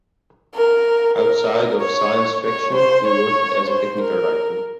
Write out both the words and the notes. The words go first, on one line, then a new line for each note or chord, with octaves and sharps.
Outside of science fiction, he worked as a technical writer.
A#4
A#4
C#5
C#5
C5
C#5
C5
A#4